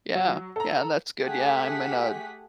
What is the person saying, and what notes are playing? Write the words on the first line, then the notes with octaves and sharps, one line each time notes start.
Yeah, yeah, that's good yeah, I'm in a
F#3
A4 A#5
A3 G4 G#4 F#5 B6